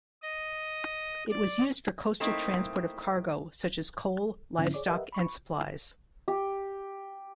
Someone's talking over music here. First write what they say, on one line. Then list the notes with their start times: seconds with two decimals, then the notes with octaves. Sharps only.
It was used for coastal transport of cargo such as coal, livestock, and supplies.
0.22 D#5
1.30 D5
2.20 A3 A#3 C4 D#4 E4
4.58 G#2 D3 F3 C4 C#4 E4
4.74 G#4 C#5 D5 D6
4.86 G4 A#4 B4 D#5 E5 F#5
5.12 B5 C#6
6.28 G4